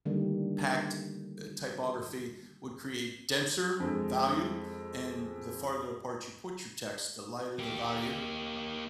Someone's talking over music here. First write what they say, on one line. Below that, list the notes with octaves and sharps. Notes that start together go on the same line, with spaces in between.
packed, uh, typography would create denser value, and the farther apart you put your text, the lighter the value,
D3 D#3 G3 A3 A#3 D4
F2 G#3
A#3 G4